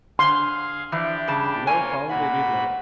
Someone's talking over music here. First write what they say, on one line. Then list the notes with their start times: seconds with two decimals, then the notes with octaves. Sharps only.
"You never found they did, mother."
0.19 D3 G#4 F5 C6
0.92 E3 F3 D4 G4
1.28 G2 C#3 A5
1.67 A#3 F4 C#5 G#5
2.09 A#2 F#4 F#5 B5